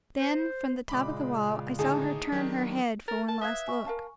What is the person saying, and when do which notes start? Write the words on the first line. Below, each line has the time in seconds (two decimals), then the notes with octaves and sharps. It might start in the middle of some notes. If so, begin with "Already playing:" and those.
Then from the top of the wall, I saw her turn her head for one last look.
0.19 C5
0.89 A#2 C#3 G#3 B5 D6
1.79 A2 D3 D#4 G#4 A5
2.32 D#3 F#3 D4 G4
3.08 A#4 A6
3.28 A#4 A5
3.41 B4 E5 F5 D#6 F#6 G#6
3.68 G#5 C#6
3.86 A#4 F5 A5